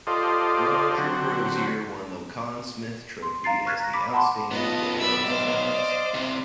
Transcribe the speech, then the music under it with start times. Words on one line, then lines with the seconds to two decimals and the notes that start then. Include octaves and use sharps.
Roger Crozier won the Conn Smythe Trophy as the outstanding player of the playoffs.
0.07 F4 G4 A4 C5 D5 D#5
0.98 D3 F#3 C4 F#4 G4
3.22 C6
3.44 F5 A#5 A6 C7
3.66 C#6 F6 F#6 G#6 A6 B6
3.79 A#5 A#6
3.93 B5 D6 B6
4.13 F#5 A5 B5 C6 D6
4.51 B1 B3 F4 D#5 A5
4.97 D5 E5 B5 E6
5.26 C5 D#5 F5
5.73 D5
6.14 C2 C3